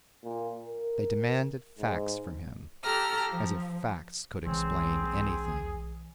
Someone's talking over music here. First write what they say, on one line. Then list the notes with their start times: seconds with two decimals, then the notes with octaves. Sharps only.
They demanded facts from him, as if facts could explain anything!
0.24 A#2
0.66 A#4
1.79 G#2
2.83 G4 A4 A#5 F6
3.28 F3
4.47 B1 C#3 E3 G#3 C4 G#4 C#5